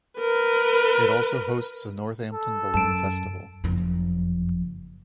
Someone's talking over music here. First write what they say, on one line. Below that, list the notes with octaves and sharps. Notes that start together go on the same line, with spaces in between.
It also hosts the Northampton Balloon Festival.
A#4 B4
A4
F#2 A5 D7
F#1 F2